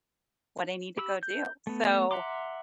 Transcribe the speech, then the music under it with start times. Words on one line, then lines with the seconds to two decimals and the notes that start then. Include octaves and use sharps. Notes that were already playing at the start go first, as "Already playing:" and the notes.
what I need to go do. So
0.97 G4 B5 E6
1.23 G6
1.67 A3 B3
2.11 E5 F#5 A#5 C6 D6